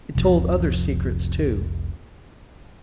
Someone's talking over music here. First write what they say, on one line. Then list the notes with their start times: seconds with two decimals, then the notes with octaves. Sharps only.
It told other secrets too.
0.15 F1 C2 C3 F3